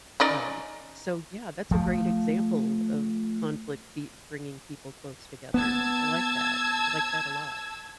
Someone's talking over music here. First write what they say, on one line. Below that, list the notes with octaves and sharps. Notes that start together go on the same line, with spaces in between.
Um, so, yeah, that's a great example of conflict be bringing people close together. I like that, I like that a lot.
C#4 D#4 D5
F3 A3
B3 A5 E6 G#6